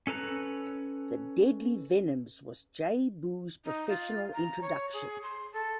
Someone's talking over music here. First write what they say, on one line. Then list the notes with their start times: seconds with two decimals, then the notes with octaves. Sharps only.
The Deadly Venoms was J-Boo's professional introduction.
0.07 C#4 A4 B4 A#5 F#6
3.65 D#4
3.88 F4
4.34 A#5
4.61 C#5
4.93 G#4
5.22 C6
5.53 A4